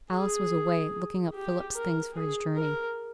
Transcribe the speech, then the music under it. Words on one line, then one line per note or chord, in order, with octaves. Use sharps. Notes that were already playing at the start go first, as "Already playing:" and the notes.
Alice was away, looking up Philip's things for his journey.
G#4
G4
A#4
G#4
A#4